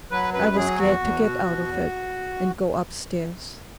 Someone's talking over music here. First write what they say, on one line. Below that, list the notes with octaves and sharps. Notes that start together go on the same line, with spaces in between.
I was glad to get out of it, and go upstairs.
F#3 B4
F#2 B4
F#3 G#4
E2 F#4
E2
B2
B2
E2